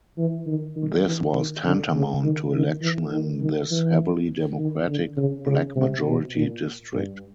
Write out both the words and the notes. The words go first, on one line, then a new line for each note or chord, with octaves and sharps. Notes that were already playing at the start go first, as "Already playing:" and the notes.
This was tantamount to election in this heavily Democratic, black-majority district.
E3
D#3
D#3
E3
D#3
D3
C#3
D#3
D#3
E3
D#3
D#3
E3
D#3
D3
C#3
C#3
C3
B2
A#2
G2